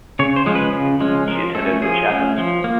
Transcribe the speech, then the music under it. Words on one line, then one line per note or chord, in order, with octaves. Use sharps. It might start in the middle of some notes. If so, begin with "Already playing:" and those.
She attended the Chapin School.
C#3 C#5
C5
F3 G#3 C#4
B4
C#3
F3 G#3 C#4
F3 A#4
A3 C#4 A4
F3 G#4
A3 C#4
F3
A#3